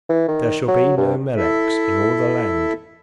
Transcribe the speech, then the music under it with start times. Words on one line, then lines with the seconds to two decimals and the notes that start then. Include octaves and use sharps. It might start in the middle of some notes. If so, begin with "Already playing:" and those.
There shall be no Meleks in all the land.
0.09 E3
0.28 D#3
0.68 F#3
0.97 G2
1.36 E4 A4 E5